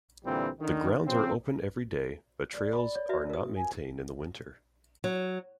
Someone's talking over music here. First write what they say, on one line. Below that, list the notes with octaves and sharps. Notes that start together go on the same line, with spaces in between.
The grounds are open every day, but trails are not maintained in the winter.
A#2 D3 E3 G3 C4
D3 D#3
C#3 F3 C4
D5
B5
C#5
F#4 B4 E5
A#4 D#6
G#5
F#3